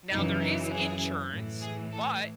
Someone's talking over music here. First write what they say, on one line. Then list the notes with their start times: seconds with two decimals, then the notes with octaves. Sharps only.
Now, there is insurance, but
0.11 F#2 C#3 E3 D#4
0.41 D#4
0.72 G#4
1.32 A2 E3
1.62 G#4
1.92 A4